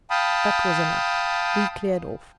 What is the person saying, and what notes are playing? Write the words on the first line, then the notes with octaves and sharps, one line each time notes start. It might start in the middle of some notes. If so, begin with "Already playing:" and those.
That was enough: we cleared off.
F5 G5 A5 B5 D#6